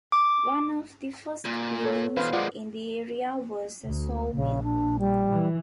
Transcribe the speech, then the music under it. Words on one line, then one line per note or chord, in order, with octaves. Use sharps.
One of the first buildings in the area was a sawmill.
D6
A#2
A4 C#5
B2 E3 B4 C5 F5
G#3 A#3 F4 D5 F#5
D2
A#1 C#3
D4
G3
E3